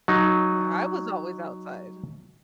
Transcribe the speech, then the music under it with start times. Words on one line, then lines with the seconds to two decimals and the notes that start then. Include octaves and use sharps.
Yeah, I was always outside.
0.08 F#3 D#4